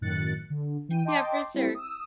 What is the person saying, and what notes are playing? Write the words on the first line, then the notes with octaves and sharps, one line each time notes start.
yeah, for sure.
F#2 A2 D#3 F#6 A6 C#7
D3
E3 G5 D#7
D#5 G5 A5 C6 D6
G3 C4 E4
D#6 E6